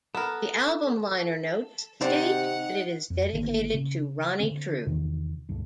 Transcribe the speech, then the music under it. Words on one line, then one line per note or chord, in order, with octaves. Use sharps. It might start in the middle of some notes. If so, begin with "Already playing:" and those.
The album liner notes state that it is dedicated to Ronnie True.
B3 A4 A#4
C3 D#3 C4 D#4 D5 F#5
F2
G#1 D3 E3 A#3
C#3
D3 C4
E2 C3 D#3
D1 D2 G2